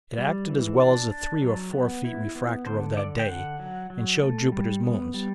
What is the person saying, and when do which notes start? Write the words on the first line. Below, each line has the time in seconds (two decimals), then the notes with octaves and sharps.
It acted as well as a three or four feet refractor of that day, and showed Jupiter's moons.
0.18 G3
0.50 E3
0.80 D4
1.11 D4
1.42 F#3
1.73 B3
2.04 E4
2.35 B3
2.66 D3 C5
2.97 D3 D5
3.19 G5
3.28 D3 F#5
3.59 F#3
3.90 F#3
4.22 A3
4.52 G3
4.84 B3
5.14 G3